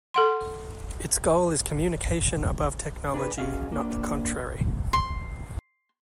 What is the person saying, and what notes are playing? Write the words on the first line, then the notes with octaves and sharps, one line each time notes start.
Its goal is communication above technology not the contrary.
A4 F#5 C6
D4 G#4 B4
C#4 F#4 G#4 D#5 F5
A#3 D4
C6